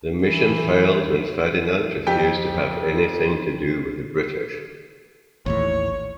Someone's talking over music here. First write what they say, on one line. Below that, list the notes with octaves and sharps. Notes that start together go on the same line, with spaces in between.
The mission failed when Ferdinand refused to have anything to do with the British.
E3
F2 G4 G5 B6
A1 D#2 A2 C#5